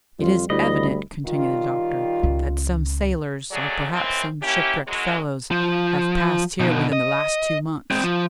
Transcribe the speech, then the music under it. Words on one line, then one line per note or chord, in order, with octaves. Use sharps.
"It is evident," continued the doctor, "that some sailors, or perhaps some shipwrecked fellows, have passed here within the last two months."
F2 G3 F4
D2 G3 E4 D#5 B5
D#3 G3 F4
C#2
D#2 F#3 A3 G#4 D5
D#2 E3 C4
A#3 C#4 E4 G4
F#2 F#3 G#3
F3
B2 D#3
D#5
G#3 C4
F3